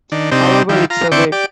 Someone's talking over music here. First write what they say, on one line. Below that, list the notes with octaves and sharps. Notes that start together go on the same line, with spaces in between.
However, it survived.
D#3 D4
C3 C4 D4 D#4 G4
D#3 F3 E4 G4
F4 A#5
D3 C4 E4 D5 G5 C#6
G4 D5